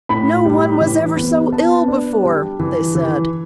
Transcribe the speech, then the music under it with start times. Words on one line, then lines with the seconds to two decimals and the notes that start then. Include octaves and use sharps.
"No one was ever so ill before," they said.
0.09 A2 B5
0.45 G3
0.81 E3
1.17 B3
1.53 B3 A5
1.88 D4
2.24 G3
2.60 E3
2.95 E3